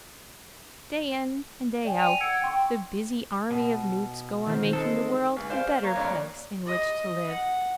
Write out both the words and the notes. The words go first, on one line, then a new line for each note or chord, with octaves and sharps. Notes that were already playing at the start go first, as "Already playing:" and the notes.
Day in and day out, the busy army of newts go on making the world a better place in which to live.
D5 G5 G#5
D#7 F7
F#5 E6 G#6 C#7 D7
G5 C6 C#6
B2
D#3 C4 F4
G#3 A4
C#2
C5 D5 F5
A#3 C#5
F2 D4 D5
D#5
F#5